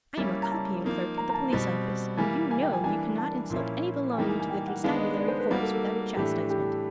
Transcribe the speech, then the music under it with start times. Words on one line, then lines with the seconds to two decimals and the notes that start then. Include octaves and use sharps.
I am a copying-clerk at the police-office; and you know you cannot insult any belonging to the constabulary force without a chastisement.
0.17 G3 A#3 C#4 E4
0.43 A#5
0.51 A5
0.84 F3 A#3 D#4
1.18 A#5
1.29 A#5
1.34 A5
1.51 B2 G3 C4
2.17 E3 G3 A#3 G#5
2.51 G#5
2.62 G5
2.73 G#5
2.84 E3 G3 A#3 D4 G#5
3.18 A5
3.50 A#2 F3 A#3 C#4 E4
4.12 G#5
4.17 E3 G3 A#3 D#4 G5
4.28 G#5
4.40 G#5
4.50 G5
4.68 F#5
4.84 D#3 G#3 B3 D4 F5
5.00 D#5
5.17 D5
5.28 C5
5.40 B4
5.50 G3 A#3 D#4 F#4 A#4
5.61 A4
5.72 A4
6.16 A2 E3 A3 D4 G4
6.50 G4